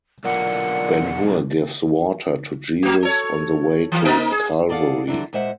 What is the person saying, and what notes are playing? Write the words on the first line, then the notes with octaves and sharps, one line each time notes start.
Ben-Hur gives water to Jesus on the way to Calvary.
B1 A#2 D3 F#5
A3 F#4
A4 C#5
E3
A#3 D#4 A#4
G#4
G#4 A4 D5 D#5 F5 F#5
D3 E3 F#3 D4
A#2 G#3 C5 E5 F#5